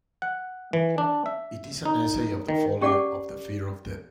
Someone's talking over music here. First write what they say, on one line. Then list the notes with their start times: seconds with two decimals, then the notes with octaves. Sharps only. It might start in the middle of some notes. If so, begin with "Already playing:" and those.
It is an essay on the folly of the fear of death.
0.22 F#5
0.73 E3
0.98 D4
1.26 E5
1.85 D#4
2.48 D#3
2.81 C#4 G4 D5 F#5 A5 D6